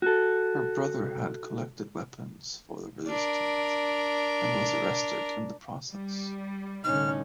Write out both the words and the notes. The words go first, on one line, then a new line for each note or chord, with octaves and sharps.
Her brother had collected weapons for the resistance and was arrested in the process.
F#4 A4
D4 A#4
G3
C2 A2 D3 C#4 D#4 F6